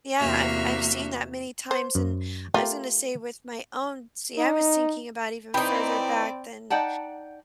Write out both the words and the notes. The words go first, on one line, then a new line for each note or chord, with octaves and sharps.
Yeah, I've I've seen that many times, and I was gonna say with my own See, I was thinking about even further back than
E2 C3 A#3 F#4 E5 F6
C5
F#2
A3 F4 G4 A#4
D#4
E3 C4 D#4 D5 G5 B5
D#4 D5 F#5 G5 A5